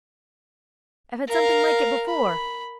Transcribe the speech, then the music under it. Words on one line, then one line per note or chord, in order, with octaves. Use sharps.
'I've had something like it before.
A#4 F5
B5